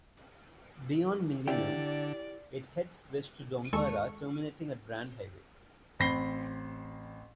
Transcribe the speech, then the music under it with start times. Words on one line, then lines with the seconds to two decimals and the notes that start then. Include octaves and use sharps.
Beyond Mingenew, it heads west to Dongara, terminating at Brand Highway.
1.48 D3 E4 G4 D5 G5
3.73 D#2 G#3 A4 C#6
5.99 A1 C4 B5 A#6 C7 G7